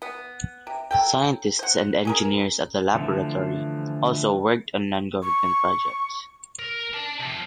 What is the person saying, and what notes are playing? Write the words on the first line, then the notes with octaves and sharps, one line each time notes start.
Scientists and engineers at the Laboratory also worked on non-government projects.
B3
C3
F#3 A4 G5
C5 F#5
C#4 G#4 A#4
D3 E3 F3 A3
C#6
A#4
D5 A5
C3 F3